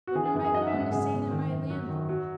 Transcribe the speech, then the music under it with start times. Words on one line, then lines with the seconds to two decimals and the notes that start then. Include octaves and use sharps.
What am I goin' to say to my landlord?
0.07 F#4
0.15 E3 G#4
0.26 G#4
0.35 F#2
0.45 G#4
0.54 F#3 D#5
0.61 F#5
0.67 E5
0.73 G#2
0.80 F#5
0.92 C#3 G#4
1.12 E2
1.31 D#3
1.50 F#2
1.70 F#3 F#4
1.89 D#3
2.09 F#3